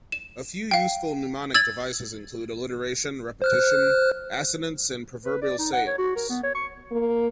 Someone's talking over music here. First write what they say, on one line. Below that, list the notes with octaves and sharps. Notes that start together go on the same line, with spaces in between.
A few useful mnemonic devices include alliteration, repetition, assonance, and proverbial sayings.
E7
F5 G5
E6 G#6 A6 F#7
C5 F6 F#6
B4
D5
D#4
F#5
C#5
F#4
A#4
B3
C#5
C#6
A#3